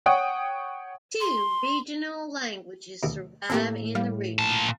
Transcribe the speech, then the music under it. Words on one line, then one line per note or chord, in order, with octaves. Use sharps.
Two regional languages survive in the region.
C#5 F#5 G5 C#6 D#6
C6
D2 B2
A2 A3 A#3 C4 G4 A4
G3 F5
A#2 A5